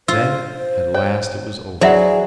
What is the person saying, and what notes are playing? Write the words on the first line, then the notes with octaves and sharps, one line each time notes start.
Then at last it was over.
F4 C5 E6
C#5 G5
F#3 E4 G#4 C5 D5 E5 F#5